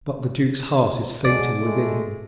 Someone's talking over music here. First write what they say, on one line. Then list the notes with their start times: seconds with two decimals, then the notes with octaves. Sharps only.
But the Duc's heart is fainting within him.
1.25 D3 F#3 G#3 D5
1.58 G#3 A3